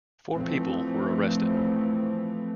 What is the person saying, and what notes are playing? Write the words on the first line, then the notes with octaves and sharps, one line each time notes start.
Four people were arrested.
E3 F3 A3 C4